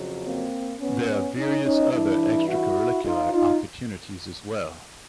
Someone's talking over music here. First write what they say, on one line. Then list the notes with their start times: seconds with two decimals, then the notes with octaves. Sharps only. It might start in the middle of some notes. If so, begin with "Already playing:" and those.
There are various other extracurricular opportunities as well.
Already playing: F2 C#3 F#3
0.24 A#3 C4
0.80 B3 C#4
1.37 C#4 D#4
1.64 C#4 D#4
1.92 G2 E3 D4 E4
2.48 E4 F#4
3.05 D#4 F4
3.32 D#4 F4